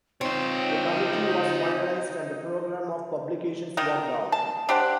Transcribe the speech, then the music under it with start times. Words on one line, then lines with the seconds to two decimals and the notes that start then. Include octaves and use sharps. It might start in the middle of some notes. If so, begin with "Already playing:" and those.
A committee was finalised and a programme of publications worked out.
0.21 C4 D#4 F4 C#5
3.77 D#3 D#4 A#4
4.32 A5
4.69 D4 G4 C5 F#5